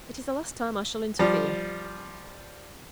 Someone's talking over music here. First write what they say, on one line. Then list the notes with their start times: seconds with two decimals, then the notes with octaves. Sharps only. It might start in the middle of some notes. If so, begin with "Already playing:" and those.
It is the last time I shall interfere.
1.19 F3 G3